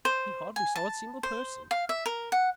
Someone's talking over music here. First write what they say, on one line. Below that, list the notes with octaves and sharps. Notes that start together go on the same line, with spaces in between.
He hardly saw a single person.
C5
G#5
A5
C5
F5
E5
A#4
F#5